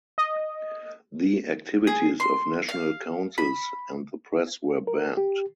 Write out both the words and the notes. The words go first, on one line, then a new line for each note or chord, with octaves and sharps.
The activities of national councils and the press were banned.
D#5
G#4
C6
F5
B5
A#4
G4